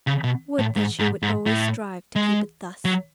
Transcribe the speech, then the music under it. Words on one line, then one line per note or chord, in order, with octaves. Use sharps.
Would that she would always strive to keep it thus.
C#3
B2
A2
G#2
G#2
G#2
A2
G#3
F#3